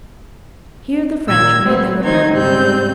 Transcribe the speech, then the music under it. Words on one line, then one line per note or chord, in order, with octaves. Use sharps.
Here the French made their abode.
A#2 D#3 E6 G#6
A3 B3 C4
D#3 A3 D#4 C5 G#6
G#2 C#3 G3 C4 G6